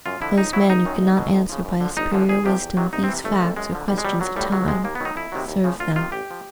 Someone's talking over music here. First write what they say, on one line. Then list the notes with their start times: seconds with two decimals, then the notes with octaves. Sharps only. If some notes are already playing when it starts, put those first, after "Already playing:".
Those men who cannot answer by a superior wisdom these facts or questions of time, serve them.
0.06 F#2 F4
0.22 D3 F3 E4
0.38 C#2 D#4
0.53 B2 F#3 E4
0.70 G#1 D#4
0.85 F#2 D#3 F#3
1.01 C2
1.17 B2 F#3
1.33 F2
1.49 C#3 F3
1.65 F#2
1.81 D3 F3
1.97 G1 D#4
2.13 F#2 D3 F3
2.29 G1 G#4
2.45 F2 C3 F3 G4
2.61 E2
2.77 C3 D#3 F#3
2.93 C2 D#4
3.04 C4
3.09 C3 E3
3.24 G1 A3
3.41 F2 C#3 E3
3.56 F#2 G#3
3.72 D3 F3
3.88 B1 G3
3.98 G#3
4.05 B2 F#3 G3
4.21 A#1 F#3
4.36 A2 F#3 G3
4.52 C#2 F#3
4.68 C3 F3 G#3
4.84 D#2 A#3
4.95 B3
5.00 D#3 F#3 D#4
5.16 F2 E4
5.32 C3 D#3 F#3
5.48 D#2
5.64 C#3 F3
5.80 D2 F4
5.96 C3 D#3 F4
6.12 A1 G4
6.31 F3